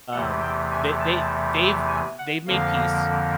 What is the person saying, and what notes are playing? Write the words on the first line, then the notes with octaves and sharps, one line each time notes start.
um, they they they've they've made peace.
E2 C3 E3 A3 F#5
G5
G#5
A5
G#5
F#5
F2 D3 F3 A#3 F5